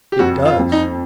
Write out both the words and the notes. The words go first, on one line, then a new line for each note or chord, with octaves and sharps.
"It does."
G4
F2 F#4
F4
F2
D#4